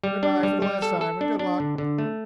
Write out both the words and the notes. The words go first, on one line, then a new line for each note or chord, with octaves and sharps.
"Good-by for the last time, and good luck."
G3
D4
G3
G3
A4
A4
D4
D4
D3
D3
A3